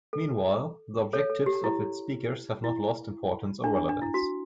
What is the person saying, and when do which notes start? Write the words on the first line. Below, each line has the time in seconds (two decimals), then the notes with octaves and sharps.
Meanwhile, the objectives of its speakers have not lost importance or relevance.
0.13 A4
1.13 A4 C#5
1.30 A4
1.46 G4
1.64 E4
2.64 E4
3.64 D4
3.77 D4
3.89 D4
4.02 E4
4.14 F#4